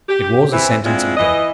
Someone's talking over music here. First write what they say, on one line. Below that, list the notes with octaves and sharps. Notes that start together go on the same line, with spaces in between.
It was a sentence of death.
G4
E3 C4
G#3 C4 D4 E4 F4 G#4
E3 D#5